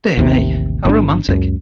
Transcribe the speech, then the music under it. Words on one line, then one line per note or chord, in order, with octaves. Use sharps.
Dear me, how romantic!
A1 D#2 C3
G1 D4
C#2 F#2